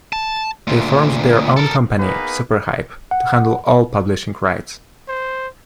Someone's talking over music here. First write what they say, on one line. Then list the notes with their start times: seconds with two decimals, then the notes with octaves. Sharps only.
They formed their own company, Superhype, to handle all publishing rights.
0.13 A5
0.67 D2 A#2
1.57 A4 A#4
1.97 A#3 B3 D#4 G#4 B4
3.11 F#5
5.09 C5